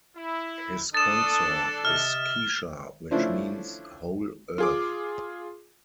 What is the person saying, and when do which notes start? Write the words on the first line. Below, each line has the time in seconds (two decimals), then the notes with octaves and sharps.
His consort is Kishar which means "Whole Earth".
0.16 E4
0.94 D4 A4 D#6 A6 E7
1.85 C3 D#5 E5 F6
3.11 F3 A3 C#4 D4 E4 C5
4.58 F4 G#4 D6